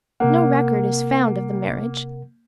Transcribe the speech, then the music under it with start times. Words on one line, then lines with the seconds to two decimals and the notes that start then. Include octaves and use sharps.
No record is found of the marriage.
0.20 C3 A#3 A#4 F#5